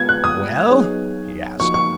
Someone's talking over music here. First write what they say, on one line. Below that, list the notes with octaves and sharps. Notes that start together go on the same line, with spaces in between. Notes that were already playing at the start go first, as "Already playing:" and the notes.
"Well?" he asked.
Already playing: G#3 B3 F4 B4 G#6
F#6
D#6
F#3 B3 D#4 G#4 C#5
F3 A#3 D#4 F#4 C#6
C#6